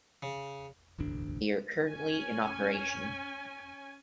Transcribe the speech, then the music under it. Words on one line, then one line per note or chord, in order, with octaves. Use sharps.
They are currently in operation.
C#3
E1 A1 D2 D4
C#4 G#5